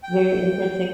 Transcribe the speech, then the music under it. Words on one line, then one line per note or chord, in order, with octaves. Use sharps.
very unpretic
G5